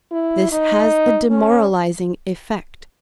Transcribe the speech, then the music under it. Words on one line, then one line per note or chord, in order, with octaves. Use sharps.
This has a demoralizing effect.
E4
D#4
C#4